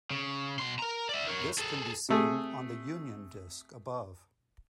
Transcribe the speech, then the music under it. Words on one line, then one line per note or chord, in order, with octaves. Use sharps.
This can be seen on the Union disk above.
C#3
B2 C6
A#4 A#5
D5 E5
A#4 C#5
G#4 A4
C3 A3 G#4